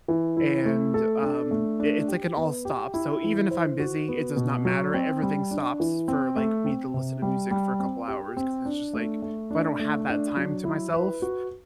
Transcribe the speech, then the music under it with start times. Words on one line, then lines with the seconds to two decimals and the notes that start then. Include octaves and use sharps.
and, um, it it's like an all-stop, so, even if I'm busy, it does not matter, everything stops for, like, me to listen to music for a couple hours 'cause it's just like if I don't have that time to myself,
0.08 E3
0.37 E4
0.65 A3
0.94 A4
1.23 D4
1.51 A3
1.80 D4
2.08 G4
2.37 B3
2.65 G4
2.94 E4
3.23 E3
3.51 C5
3.80 F#4
4.08 B3
4.36 B2
4.65 F#3
4.94 C4
5.23 G3
5.51 D4
5.80 E3
6.08 C4
6.36 A3
6.65 C4
6.94 C3
7.22 G3
7.51 G3
7.80 C4
8.08 G4
8.37 C4
8.65 D4
8.93 A3
9.22 A3
9.51 D4
9.80 A3
10.08 D4
10.37 F#3
10.65 E4
10.94 B4
11.22 F#4